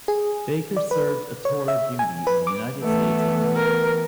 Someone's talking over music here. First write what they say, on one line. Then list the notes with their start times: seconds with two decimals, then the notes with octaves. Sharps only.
Baker served a tour of duty in the United States Army.
0.08 G#4
0.77 D5
0.91 B4
1.45 C#5
1.68 E5
1.99 G#5
2.27 B4
2.47 D6
2.83 E3 A3 B3
3.56 A#4